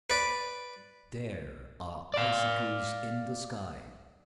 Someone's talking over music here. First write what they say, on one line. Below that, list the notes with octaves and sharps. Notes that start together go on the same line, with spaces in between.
There are icicles in the sky.
B4 D5
D5 F5